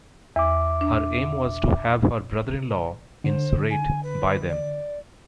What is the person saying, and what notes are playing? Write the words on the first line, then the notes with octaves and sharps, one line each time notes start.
Her aim was to have her brother-in-law in Suratte buy them.
E2 E5 D6
D4
D3 C5
G#5
B4
D5